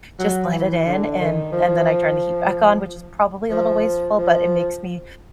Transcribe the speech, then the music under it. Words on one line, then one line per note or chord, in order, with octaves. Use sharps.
just let it in and and then I turn the heat back on, which is probably a little wasteful, but it makes me
F#3
E3
D3
D#3
F3
F3
F3